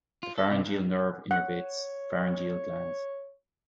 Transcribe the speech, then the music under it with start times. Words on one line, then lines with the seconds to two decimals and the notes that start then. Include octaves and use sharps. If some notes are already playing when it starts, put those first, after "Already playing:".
The pharyngeal nerve innervates pharyngeal glands.
0.23 F4
0.38 A4
0.51 C3
0.66 G2
1.31 C#5 F#5